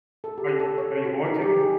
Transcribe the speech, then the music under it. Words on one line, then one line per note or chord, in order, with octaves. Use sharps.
Are you are you going to?
A4
G4
A4
C#5
F#4
D#4
G4
G#4